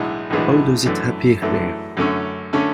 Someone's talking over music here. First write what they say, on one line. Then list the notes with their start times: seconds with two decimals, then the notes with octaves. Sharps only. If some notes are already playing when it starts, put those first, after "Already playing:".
How does it appear there?
Already playing: B1 A2 E3 G#3 D4
0.30 B1 A2 E3 G#3 D4
0.86 F#2 E3 A3 D4
1.42 F#2 E3 A3 D4
1.97 F#2 D3 A3 C#4
2.53 D3 A3 C#4